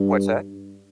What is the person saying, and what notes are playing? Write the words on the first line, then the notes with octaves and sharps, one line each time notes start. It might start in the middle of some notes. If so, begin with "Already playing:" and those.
What's that?
Already playing: G2